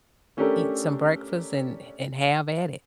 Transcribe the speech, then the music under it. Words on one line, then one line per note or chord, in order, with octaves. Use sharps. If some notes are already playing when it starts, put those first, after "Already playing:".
eat some breakfast and and have at it.
A3 C#4 D4 G4 A4 A#4